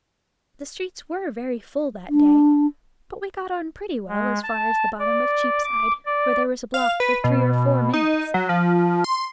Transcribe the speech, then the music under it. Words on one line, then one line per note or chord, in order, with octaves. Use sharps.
The streets were very full that day, but we got on pretty well as far as the bottom of Cheapside, where there was a block for three or four minutes.
D4
G#3
A5
D5
D6
D5
F5
B4
B2
D#4
F#3
F3
C6